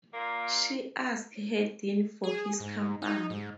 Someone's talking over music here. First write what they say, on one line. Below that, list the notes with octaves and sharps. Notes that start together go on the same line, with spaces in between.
She asked Hedin for his company.
A#2 A#3
G#4
G#2
D#4
G#2